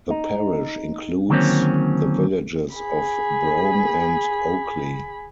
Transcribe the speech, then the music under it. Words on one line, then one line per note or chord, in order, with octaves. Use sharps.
The parish includes the villages of Brome and Oakley.
D#4
D3 D#3 F#3 A#3 C4 C#4
G#4 B5